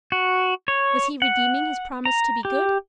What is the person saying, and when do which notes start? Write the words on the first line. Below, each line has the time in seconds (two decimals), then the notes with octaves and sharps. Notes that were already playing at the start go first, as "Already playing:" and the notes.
Was he redeeming his promise to be good?
0.12 F#4
0.68 C#5
1.22 F#5
2.05 A#5
2.45 G4